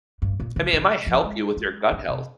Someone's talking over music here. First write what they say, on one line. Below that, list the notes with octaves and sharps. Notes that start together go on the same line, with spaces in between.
I mean, it might help you with your gut health.
G2
A#2
C#3
C#3
F3
G#3
G#3
G3
C3